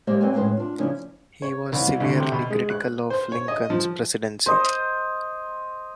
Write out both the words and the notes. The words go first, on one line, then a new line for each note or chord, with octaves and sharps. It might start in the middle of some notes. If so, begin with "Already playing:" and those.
He was severely critical of Lincoln's presidency.
G#3 A#3 G4 C5 D5
A#3 C4 B4 C#5 D5 G#5
A2 G#3 C#4 D#4 B4 C5
D4 F4
C#3 F3 C#4 D4 E4
C#5
C2
D2
C3
B2
G#3
F#6
C5
C#5
D#5
F3
C5 D#5